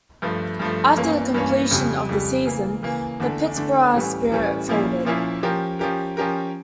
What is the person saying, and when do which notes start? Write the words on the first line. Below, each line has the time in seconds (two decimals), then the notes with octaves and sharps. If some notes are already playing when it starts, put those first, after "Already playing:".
After the completion of the season, the Pittsburgh Spirit folded.
0.22 G2 F3 A3
0.59 G2 F3 A3
0.96 G2 E3 A#3 C#4
1.34 G2 E3 A#3 C#4
1.71 F2 C#3 G3
2.09 F2 C#3 G3
2.45 C#3 E3 A#3
2.83 C#3 E3 A#3
3.20 E2 D3 A3 D4
3.56 E2 D3 A3 D4
3.93 A2 E3 G3 C#4
4.31 A2 E3 G3 C#4
4.68 A#2 F3 A#3 C#4 E4
5.05 A#2 F3 A#3 C#4 E4
5.43 F3 C#4 G4 A#4
5.79 F3 C#4 G4 A#4
6.17 F3 C#4 G4 A#4